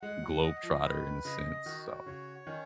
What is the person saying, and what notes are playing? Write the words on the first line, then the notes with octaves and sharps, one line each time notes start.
globetrotter in a sense. So,
G#3 F#5
F#3
D#5
F3
D#3 B4
C#3 D#5
D#3 F#4
C#3 C#5
D#3 C#4